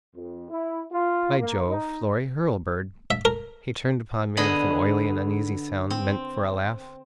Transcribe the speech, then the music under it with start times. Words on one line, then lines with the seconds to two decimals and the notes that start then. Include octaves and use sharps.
"By Jove: Florry Hurlbird." He turned upon me with an oily and uneasy sound meant for a laugh.
0.15 F2
0.49 E4
0.92 F4
1.37 A#3
1.67 D#4
3.11 E5
3.25 A#4
4.37 D3 B3 G#4 D#5 A#5 B5
5.90 C4